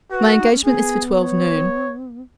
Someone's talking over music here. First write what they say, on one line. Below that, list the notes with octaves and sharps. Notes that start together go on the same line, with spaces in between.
My engagement is for twelve noon.
F#4 B4
A#4
D#4
C#4
B3 G#4
C#5